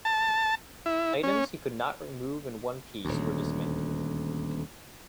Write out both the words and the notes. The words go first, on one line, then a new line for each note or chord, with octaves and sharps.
Items he could not remove in one piece were dismantled.
A5
E4
C#4
D#1 D2